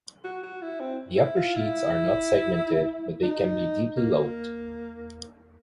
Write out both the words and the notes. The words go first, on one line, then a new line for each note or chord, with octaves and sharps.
The upper sheets are not segmented but they can be deeply lobed.
F#4
F#4
E4
C4
E4
F4
E4
D#4
A#3